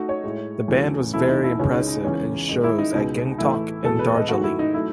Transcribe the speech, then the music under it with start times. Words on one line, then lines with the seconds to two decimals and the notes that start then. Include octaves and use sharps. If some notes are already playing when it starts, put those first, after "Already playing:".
The band was very impressive in shows at gangtok and darjeeling.
Already playing: A3 D#4 F#4
0.09 C#5
0.24 A2 G#3
0.68 E2 C#3 F#3 A3
1.13 E2 B2 A3 E4
1.28 D#4
1.44 E4
1.59 C#2 C#3 G#3 C#4
1.74 D#4
1.88 D#4
2.04 E2 C#3 G#3 C#4
2.49 G#2 D#3 G#3 D#4
2.64 E4
2.78 D#4
2.94 C#2 B2 G#3 D#4
3.38 A2 E3 A3 E4
3.83 E2 B2 G#3 A4
3.99 B4
4.14 D#5
4.28 G#2 D#3 F#3 A3 F#4
4.44 E4
4.59 D#4
4.74 F#3 A3 E4